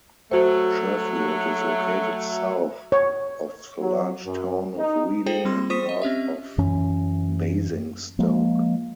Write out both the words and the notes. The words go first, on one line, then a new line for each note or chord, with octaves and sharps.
Sherfield is located south of the large town of Reading and north of Basingstoke.
F#3 A3 F#4 C5
C#5
F#3
F#2
D#4
D#4 F4 G#4 A4 C5 G5
G3 C4 C6
F4 C5 C#6 D#6 B6 D#7
D#5
C4 C#4 G4 E5
F#2 E3 C#4
F3 G#3 A#3